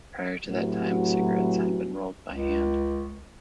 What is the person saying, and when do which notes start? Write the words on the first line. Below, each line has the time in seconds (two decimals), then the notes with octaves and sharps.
Prior to that time, cigarettes had been rolled by hand.
0.46 A2 C3 E3 F#3
2.31 C#2